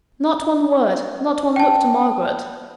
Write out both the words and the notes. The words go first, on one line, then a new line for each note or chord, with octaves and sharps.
Not one word: not one look to Margaret.
G5 A5